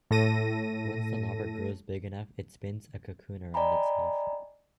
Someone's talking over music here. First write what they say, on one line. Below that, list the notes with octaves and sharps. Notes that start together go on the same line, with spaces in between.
Once the larva grows big enough it spins a cocoon around itself.
A2 A4 A#6 D#7
D5 D#5 G5 G#5 A#5 B5